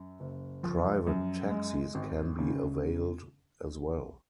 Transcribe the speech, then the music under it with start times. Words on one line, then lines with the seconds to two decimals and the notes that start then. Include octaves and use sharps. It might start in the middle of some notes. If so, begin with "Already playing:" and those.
Private taxis can be availed as well.
Already playing: F#2
0.20 F#1
0.63 F3
1.07 F#2
1.51 G#3
1.95 G#1
2.39 C#3